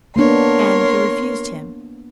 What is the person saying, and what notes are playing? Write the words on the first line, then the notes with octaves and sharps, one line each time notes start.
'And you refused him?'
A#3 B3 D4 A#4 C#5 C6